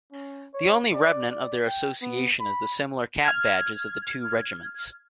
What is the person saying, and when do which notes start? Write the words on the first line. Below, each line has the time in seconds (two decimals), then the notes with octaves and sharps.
The only remnant of their association is the similar cap-badges of the two Regiments.
0.12 C#4
0.53 C#5
0.93 D5
1.31 D5
1.67 G5
2.02 B3
2.40 B5
3.25 F6 G#6